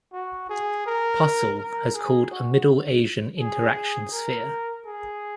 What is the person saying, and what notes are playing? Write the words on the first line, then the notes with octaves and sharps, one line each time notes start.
Possehl has called a "Middle Asian Interaction Sphere".
F#4
G#4
A#4
A#4
G#4
F#4
G#4
A#4
G#4